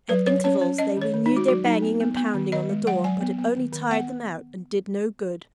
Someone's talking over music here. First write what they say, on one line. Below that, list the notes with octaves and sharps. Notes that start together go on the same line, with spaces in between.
At intervals they renewed their banging and pounding on the door, but it only tired them out, and did no good.
F#3 B4
F#3 C#5
C#4 C#5
C#4
C#4 D#5
D#3 C#5
D#3
D#4
G#3 F#4
F#3 F#4
F#3 D#4
B3
B3
B3
D#3
D#3 D#5
G#3
F#3 F#5
F#3 G#5
B3
B3
D#3
D#3
B3 F#5